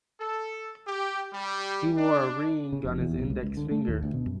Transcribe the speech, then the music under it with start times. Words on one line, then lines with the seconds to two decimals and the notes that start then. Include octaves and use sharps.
He wore a ring on his index finger.
0.21 A4
0.87 G4
1.34 G3
1.97 D4
2.73 C#3
2.84 F1
3.01 E2
3.18 B1
3.30 C#2
3.43 C#2
3.57 D3
3.71 A3
3.88 D#2
4.02 D2
4.14 B2
4.26 F#2